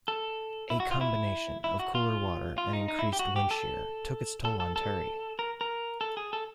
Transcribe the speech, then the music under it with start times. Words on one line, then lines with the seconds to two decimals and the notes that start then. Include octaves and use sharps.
A combination of cooler water and increased wind shear took its toll on Terry.
0.08 A4
0.70 E4
0.80 F#4
0.91 F4
1.01 E4
1.64 E4
1.80 F#4
1.95 F4
2.58 F4
2.73 D#4
2.88 D#4
2.99 E4
3.13 G4
3.19 F#4
3.36 G4
3.51 A4
4.45 A4
4.60 A4
4.76 A4
5.39 A#4
5.61 A#4
6.01 A4
6.17 G#4
6.33 A4